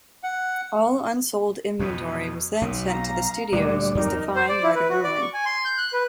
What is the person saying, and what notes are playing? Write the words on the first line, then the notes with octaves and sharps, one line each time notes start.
All unsold inventory was then sent to the studios as defined by the ruling.
F#5
F2 B2
B1 B2
F5 A#5
D2 A#2 D3 G3 D5
F2 C4 D#4 A#4
C5
D5
E4
B4
F#4
D5
C#6
G#5
C6
G6
F#6
B4